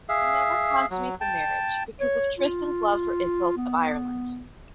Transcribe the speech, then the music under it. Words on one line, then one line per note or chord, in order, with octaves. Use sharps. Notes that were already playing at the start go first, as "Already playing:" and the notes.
They never consummate the marriage because of Tristan's love for Iseult of Ireland.
G#4 E5 F5
F#3
G5 A5
C#5
F4
B3